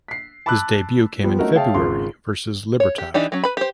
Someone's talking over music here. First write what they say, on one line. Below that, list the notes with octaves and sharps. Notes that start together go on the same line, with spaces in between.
His debut came in February versus Libertad.
B6 C7
A5 B5 D6 E6 F#6
F3 G3 B3
A3 C#4 D#4 F#4 A#4
G#4 C#5 E5 F5 G5 A5
G#1 C#3 F4 C6
C#5
G4
E3 D4 D#4 G4
F#3 C#4
B4 B5
G4 C5